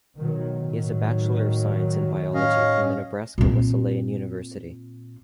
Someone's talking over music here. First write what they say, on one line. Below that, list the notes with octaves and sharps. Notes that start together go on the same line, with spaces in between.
He has a Bachelor of Science in Biology from the Nebraska Wesleyan University.
B2 D#3 F#3
A2 D#3 F#3
C#4 D#5 F5
A#2 C4